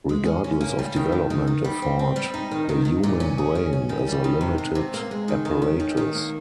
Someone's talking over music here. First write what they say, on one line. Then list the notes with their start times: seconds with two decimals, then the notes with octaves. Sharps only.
Regardless of development effort, the human brain is a limited apparatus.
0.09 G#3
0.26 C#4
0.44 C#4
0.61 A#3
0.79 G3
0.96 D#3
1.12 D#3
1.30 D#3
1.47 D#3
1.64 G3
1.82 C4
1.99 C4
2.16 G3
2.34 D#4
2.51 D#3
2.69 D#3
2.85 D#3
3.03 A#2
3.20 C#4
3.38 G#4
3.55 C#4
3.73 C#4
3.89 D#3
4.07 G3
4.24 D#3
4.41 C3
4.58 C3
4.75 C3
4.94 A#3
5.11 G#3
5.28 D#3
5.45 D#3
5.62 C#4
5.80 D#3
5.97 D#3
6.15 A#3